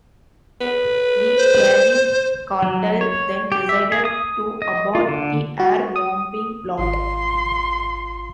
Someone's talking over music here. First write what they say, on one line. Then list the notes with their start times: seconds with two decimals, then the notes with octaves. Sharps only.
The Cali Cartel then decided to abort the air bombing plot.
0.61 B4
1.37 C5
2.62 F#3
3.01 C#5
3.52 G4
3.69 E5
3.92 G#4
4.05 D#6
4.62 D#5
4.95 F4
5.09 D3
5.59 F#4
5.96 D#6
6.79 G#1 F4 F5 C6